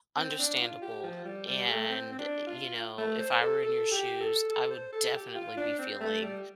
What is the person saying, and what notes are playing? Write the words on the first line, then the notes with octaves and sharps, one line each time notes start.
understandable, and, you know, if I were in your shoes, I would definitely be feeling
C4
D4
F4
G4
F3
G3
G3
A3
C4
C4
D4
F4
A3
C5
A4
A4
G4
A4
A4
C5
A4
G4
F4
D4
C4
A3
G3